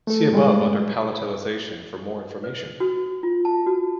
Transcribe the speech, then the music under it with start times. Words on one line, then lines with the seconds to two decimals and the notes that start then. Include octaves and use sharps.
See above under "Palatalization" for more information.
0.07 A3 A4
0.31 A2 G3 G#3
2.44 B4
2.80 F#4
3.23 F4
3.45 A5
3.66 F#4